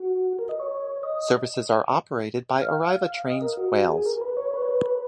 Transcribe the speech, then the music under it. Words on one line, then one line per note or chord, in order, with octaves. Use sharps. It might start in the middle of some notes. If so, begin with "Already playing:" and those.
Services are operated by Arriva Trains Wales.
Already playing: F#4
A#4
D#5
C#5
D#5
F5
F5
D#5
A#4
F#4
G#4
A#4
B4
C#5
B4
C#5
B4
B4